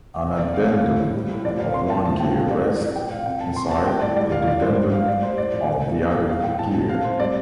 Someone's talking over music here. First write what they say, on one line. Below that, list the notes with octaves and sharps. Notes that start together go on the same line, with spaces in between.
An addendum of one gear rests inside a dedendum of the other gear.
C3
C3 D5
C3 F5
F3 F5
A2
F3
G3
A2
F3 D5
F3 F5
C3 C6
F3 A5
A2 A5
G3 G5
C3 F5
F3 D5
A2 D5
D5
A2
D5
F3 G5
F3 F5
C3 G5
C3 A5
C3 C6
F3 A5
G3 G5
A2 D5
G3 D5
A2 F5
A2 D5
A2 C5
G3
G3 F5
G3 D5
G3 C5
A2 D5
F3
F3
A2
C3
C3
G3 F5
A2 G5
A2 A5
A2 A5
C3 F5
C3 C5
G3 D5